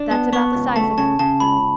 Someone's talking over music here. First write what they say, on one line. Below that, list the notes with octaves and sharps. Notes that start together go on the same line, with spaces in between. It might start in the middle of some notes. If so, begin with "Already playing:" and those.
"That's about the size of it."
Already playing: D4
B3 A5
B3 C#6
C#2
A3 A5
C#3 A5
C#3 A5
C#2 B5